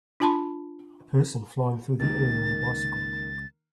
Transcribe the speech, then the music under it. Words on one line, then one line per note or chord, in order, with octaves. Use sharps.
A person flying through the air on a bicycle.
D4 F4 G#5 A5 B5 C6
C#2 D#3 A#3 A6